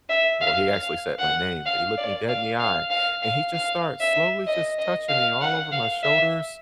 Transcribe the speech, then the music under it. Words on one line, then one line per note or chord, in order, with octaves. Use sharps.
well, he actually said my name, but he looked me dead in the eye, and he just started slowly just touching me all over my shoulders,
E5
F5
F5
F#5
F5
D5
F5
F5
F5
F5
F5
E5
D#5
D#5
F5
F#5
F5
E5